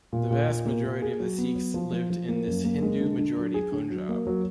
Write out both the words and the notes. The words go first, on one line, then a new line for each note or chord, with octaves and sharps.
The vast majority of the Sikhs lived in this Hindu-majority Punjab.
A#2
A#2
A#2
A#3
A#3
G#4
F#3
B3
F#3
F3
F3
F3
A#3
F#2
A#3
G#3
D3
D3
F#3
G#4
D3
F#3
A#3
F#3